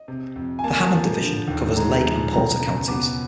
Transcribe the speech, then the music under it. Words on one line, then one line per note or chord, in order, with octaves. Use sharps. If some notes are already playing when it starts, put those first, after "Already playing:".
The Hammond Division covers Lake and Porter Counties.
Already playing: D#5
C3
F2
G#5
A#3 A5
F3
D3
D#2
G#3 A#5
F3
B2 A#5
C#2
B3 D6